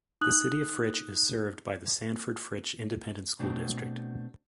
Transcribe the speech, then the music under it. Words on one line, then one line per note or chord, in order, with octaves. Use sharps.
The City of Fritch is served by the Sanford-Fritch Independent School District.
D#4 D#6 F#6 F#7
B2 A3 C4 D4 F#4